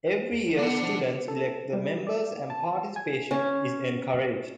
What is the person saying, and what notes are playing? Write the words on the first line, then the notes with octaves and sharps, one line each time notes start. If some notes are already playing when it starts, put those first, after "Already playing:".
Every year students elect the members and participation is encouraged.
E2
F3
B3 D4 F#5
F3
A4
G3
D5
A5
G#5
C#4